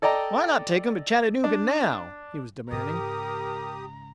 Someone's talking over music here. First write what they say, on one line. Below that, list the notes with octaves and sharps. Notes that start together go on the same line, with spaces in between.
"Why not take 'em to Chattanooga now?" he was demanding.
A4 D5 D#5 G5 A#5
D4
G#2 C#3 G4 A#4 A#5 D#6